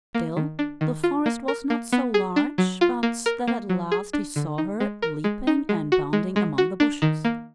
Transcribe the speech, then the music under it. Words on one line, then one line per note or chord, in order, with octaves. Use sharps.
Still, the forest was not so large, but that at last he saw her, leaping and bounding among the bushes.
A#3
D#3
D4
D#3
F4
A#3
A#4
A#3
B3
G#4
D4
F#3
F4
A#3
A#4
A#3
F#3
G#4
D4
D3
D#4
G#3
A#4
G#3
D#4
G#3
F#4
G#3
G#3
F#4
D4
D#3
A#3